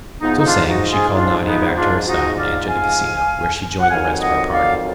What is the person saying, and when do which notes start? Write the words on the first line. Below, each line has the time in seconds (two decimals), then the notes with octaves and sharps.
So saying, she called Nadia back to her side, and entered the Casino, where she joined the rest of our party.
0.21 G#2 F3 B3 D#4
0.37 D#4
0.44 D4 F4
0.67 D#4 F#4
0.90 F4 G#4
1.14 D4 F4
1.44 B3 D#4
1.75 D4 F4
2.06 D#4 F#4
2.37 D5 F5
2.67 F5 G#5
3.80 F#5
3.90 F2 D#3 F#3 F5 G#5
4.20 D#5 F#5
4.51 D5 F5